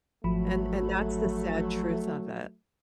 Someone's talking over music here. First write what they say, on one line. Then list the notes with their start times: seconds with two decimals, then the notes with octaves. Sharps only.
and and that's the sad truth of it.
0.24 G#1 F3 F#3 A3 B5